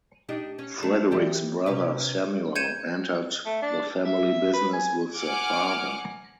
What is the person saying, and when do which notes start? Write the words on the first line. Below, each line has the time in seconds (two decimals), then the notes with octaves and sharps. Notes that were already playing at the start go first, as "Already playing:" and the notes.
Frederick's brother Samuel entered the family business with their father.
0.29 D4 D#4 G4
0.59 C#4
0.80 A3 D4
1.11 E3 G4 D5
1.66 C3 C#4 B4
2.56 G6 G#6 C#7 D#7 E7
3.46 A3
3.62 D4
4.05 E5
4.54 B4
4.73 G#5
5.18 F#5 G#5 D6 F6